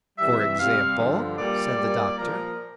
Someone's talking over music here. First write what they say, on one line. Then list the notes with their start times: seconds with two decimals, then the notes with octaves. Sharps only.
"For example?" said the Doctor.
0.18 C3 E3 G3 E5
0.58 C3 G3 F5
0.99 G2 D3 F3
1.38 A#2 G3 D5
1.78 A#2 G3
2.18 A#2 F3 A#4